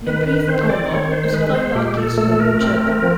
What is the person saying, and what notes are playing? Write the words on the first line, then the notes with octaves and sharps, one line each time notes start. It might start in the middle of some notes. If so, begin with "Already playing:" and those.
In a brief prologue, a skylark is heard chirping.
D#3 B4
B4
C4 C5
D5
D#3 C#5
C5
G#3 B4
B4
C5
A#2 G4
A4
A3 A4
A#4
C4
F3